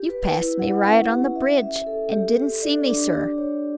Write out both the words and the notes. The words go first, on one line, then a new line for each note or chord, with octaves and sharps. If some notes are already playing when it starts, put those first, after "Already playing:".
You passed me right on the bridge, and didn't see me, sir.
Already playing: G4
B4
E4
F#5
C#4
G4
E5
E5
A4
G4
G4
D5
D4
G4
C#5